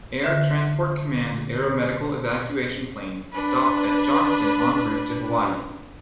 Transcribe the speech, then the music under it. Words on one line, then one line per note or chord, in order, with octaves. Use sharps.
Air Transport Command aeromedical evacuation planes stopped at Johnston en route to Hawaii.
D3 E5
D4 B4